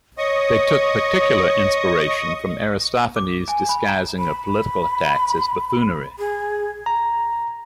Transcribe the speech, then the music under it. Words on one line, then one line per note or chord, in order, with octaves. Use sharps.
They took particular inspiration from Aristophanes' disguising of political attacks as buffoonery.
C#5 D#5 C#6 D#6
D6
G#5
B5
A#5
B5
G#4
A#5